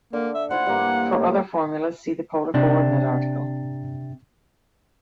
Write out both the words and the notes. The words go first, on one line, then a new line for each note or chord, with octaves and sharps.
For other formulas, see the polar coordinate article.
D3 A#3
E5
E4 F4 C5 F#5
G2 A#3
A2 A#3 G4
C3 D4